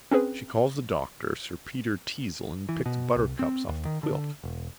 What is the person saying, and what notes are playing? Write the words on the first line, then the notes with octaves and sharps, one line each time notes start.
She calls the doctor sir Peter Teazle and picks buttercups off the quilt.
C4 C#4 G#4 B4
E3
B2
C2
C4
D#2
D#3
D3
E1